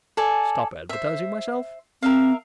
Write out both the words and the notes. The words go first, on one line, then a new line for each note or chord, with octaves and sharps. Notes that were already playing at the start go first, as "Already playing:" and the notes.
Stop advertising myself!
A4 D5 G#5
C5 E5
C4 A#4 E5 F5